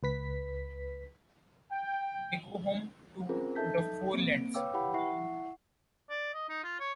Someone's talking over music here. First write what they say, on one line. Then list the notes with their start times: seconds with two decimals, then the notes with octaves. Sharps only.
They go home to the Four Lands.
0.03 C#2 B4 B6
1.72 G5
3.29 C4 C#4 F4 G#4 A#4 C5
3.55 D#4 A4 E5 A5 G6 B6
4.13 A#3 C4 D7
4.54 B4 C#5 F5 G5 D6 E6
4.74 E4 G4 B4 F#5 G5 B5
4.94 E4 E5 F#5 C#6 C7
6.09 D5
6.34 D#5
6.49 D#4
6.64 F4
6.80 C#5